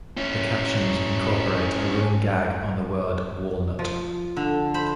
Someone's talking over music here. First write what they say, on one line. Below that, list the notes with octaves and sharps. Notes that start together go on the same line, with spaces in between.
The captions incorporate a running gag on the word "walnut".
C#4 E4
F3
D3
C5 B5